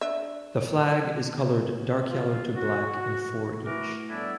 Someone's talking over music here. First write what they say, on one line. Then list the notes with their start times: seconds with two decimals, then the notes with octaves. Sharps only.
The flag is colored dark yellow to black in four each.
0.01 D4 E5
2.08 F4
2.56 F#4
3.65 E3 A3 E4 F#4 A#4 D6
4.09 A2 G3 B3 D4 E4